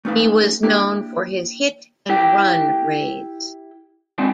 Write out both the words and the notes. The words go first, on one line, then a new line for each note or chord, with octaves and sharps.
He was known for his "hit and run" raids.
A3 C#4 D#4 B4 F5
A#3 D4 E4 G4
E4 G4 G5
G#3 C4 D4 D#4